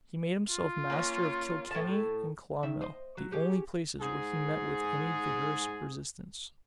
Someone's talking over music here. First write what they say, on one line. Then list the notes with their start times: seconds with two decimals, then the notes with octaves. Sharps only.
He made himself master of Kilkenny and Clonmel, the only places where he met with any vigorous resistance.
0.51 F4
0.90 A#3 C#4
1.71 A2 A5
2.63 D#3 E5
2.81 C5 D#5
3.17 F#3
3.31 C#4 G4 G#4
4.01 G#2 G#4